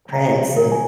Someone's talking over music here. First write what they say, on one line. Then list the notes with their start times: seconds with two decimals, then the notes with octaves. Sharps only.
Prince and,
0.13 A#5
0.57 A#4
0.72 G#5